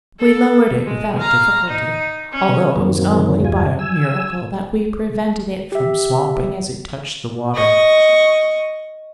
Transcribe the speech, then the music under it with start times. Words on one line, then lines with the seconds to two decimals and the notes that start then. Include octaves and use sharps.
We lowered it without difficulty, although it was only by a miracle that we prevented it from swamping as it touched the water.
0.19 A4
0.85 G#3
1.19 F5 A#5
1.68 D#4
2.32 C#4
2.76 F#2 A#2 D#3 F#3 A#3 C4
3.44 E2 G2 G3 F4 G#5
3.79 G#5 E6
5.72 G4 E5
7.54 D#5 C#6